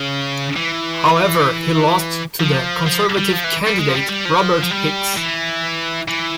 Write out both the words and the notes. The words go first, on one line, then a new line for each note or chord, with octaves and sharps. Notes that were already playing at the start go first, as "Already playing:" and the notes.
However, he lost to the Conservative candidate Robert Hicks.
Already playing: C#3
E3
F3
F3
G3
F3
E3
G3
G#3
F3
G3
G3
F3
F3
G3
E3
E3